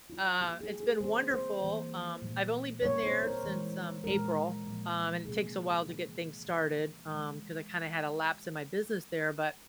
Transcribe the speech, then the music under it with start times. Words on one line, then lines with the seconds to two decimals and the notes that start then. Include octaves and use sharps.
uh it's been wonderful, um I've only been there since, um, April, um, and it takes a while to get things started, um, 'cause I kinda had a lapse in my business there, but
0.10 F4
0.40 C#3 G3 A#3 G4
0.61 G#4
0.80 G#4
1.00 C#3 E3 A#3 C5
1.31 C5
1.61 E3 G3 A#3
2.22 A#2 G3 A#3
2.82 C#3 G3 A#3 C#5
3.03 C5
3.23 A#4
3.44 E3 G#3
4.04 A#2 G#3 A#4
4.64 A#2 F3 A#3
5.25 C3 F3 A#3 G#4
5.85 C#3 E3 A#3
6.46 E3 G3 A#3
7.07 C3 E3 G#3